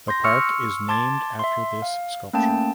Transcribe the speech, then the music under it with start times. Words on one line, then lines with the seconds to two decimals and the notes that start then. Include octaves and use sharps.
The park is named after this sculpture.
0.08 C6 G6 A#6
0.24 C6 C#6 E6 F6 C#7
0.89 A5 C6 D6 G#6 A6
1.39 E5 C6
1.82 F5
2.33 A3 A#3 C#4 G5 A5